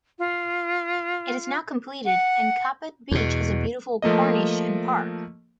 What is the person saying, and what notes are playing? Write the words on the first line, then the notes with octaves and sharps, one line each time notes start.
It is now completed and Kappad beach has a beautiful corniche and park.
F4
F#5
E2 B2
F3 A3 A#3 D#5